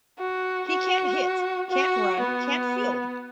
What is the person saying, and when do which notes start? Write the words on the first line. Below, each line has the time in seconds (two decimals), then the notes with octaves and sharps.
He can't hit, can't run, can't field.
0.19 F#4
0.68 F#4
1.70 F#4
2.20 B3